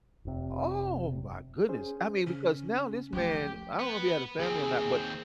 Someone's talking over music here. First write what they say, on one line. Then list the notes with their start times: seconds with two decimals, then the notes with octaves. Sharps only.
Oh my goodness. I mean, because now this man I don't know if he had a family or not, but
0.25 F1 C3
1.69 C#4 G#4 C5
2.27 C#3 C#4
3.13 F3 A3 G4
3.79 B3 B4
4.39 D#2 C4 G#4